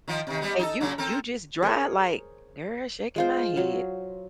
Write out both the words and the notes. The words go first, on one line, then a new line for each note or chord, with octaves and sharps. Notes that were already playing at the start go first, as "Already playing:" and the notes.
And you you just dry like, "Girl, shaking my head.
D#3 F3 F4
C3 D#3
G3 G#3 B3
D#4 G4 A4
A#2 C#3 F#3
C4 A4 A#4
G#4 A#4 C5 C#5
G#3 F4 C5
F#3 F5